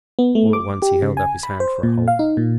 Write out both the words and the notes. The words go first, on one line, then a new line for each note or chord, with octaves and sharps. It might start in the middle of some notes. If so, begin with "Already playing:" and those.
All at once he held up his hand for a halt.
B3
A3
D6
G4
C#3
G#5
B5
C5
A#2
F5
D#4
A#2